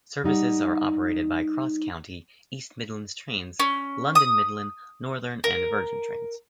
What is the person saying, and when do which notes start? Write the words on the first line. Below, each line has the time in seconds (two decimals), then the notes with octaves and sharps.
Services are operated by CrossCountry, East Midlands Trains, London Midland, Northern and Virgin Trains.
0.24 G3 D#4 F#5
3.60 C#4
4.15 D#6
5.44 A#4